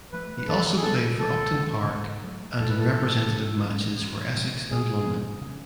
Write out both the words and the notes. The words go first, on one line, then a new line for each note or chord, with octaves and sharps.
He also played for Upton Park and in representative matches for Essex and London.
F3 A3 B4
B4
F2 A4
G#4
F3 B3 D4 A4
D2 A4
C#3 G#3 D4
G#2
F#3 A3
F2 A4
B4
A4
F3 G#3 B3
C#3
F#3 C#4
D2
C#3 F3 A3
A2 G#4
F3 B3
C#3